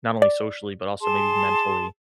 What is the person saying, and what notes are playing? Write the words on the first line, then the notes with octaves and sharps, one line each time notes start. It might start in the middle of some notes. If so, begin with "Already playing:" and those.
not only socially, but, also maybe mentally.
D5
G#4 A5 C6